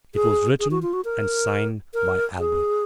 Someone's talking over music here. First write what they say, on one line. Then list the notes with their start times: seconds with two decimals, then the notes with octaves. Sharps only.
It was written and signed by Albert.
0.15 G#4
0.60 G#4
0.71 F#4
0.82 F4
0.93 F#4
1.05 A#4
1.94 A#4
2.39 G#4